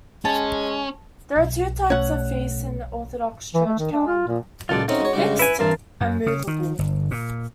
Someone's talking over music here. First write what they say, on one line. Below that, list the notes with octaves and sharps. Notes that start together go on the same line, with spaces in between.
There are two types of feasts in the Orthodox Church calendar: fixed and movable.
G#3 C#4 A5
B1
B2 A3 C#4 C#5 F#5
E3
A3
D#3
D4
F4
A#2
C#2 A#2 F#3 G#3 F4 A4 D5
A3 C4 C#4 D#4 F#4
G#3 C#5
C#3 G3 G#3 D4
E4 B4 G#5
G2 E3 C4 A#4 C5 A5
F#2
C#3
D#3
G1
A#2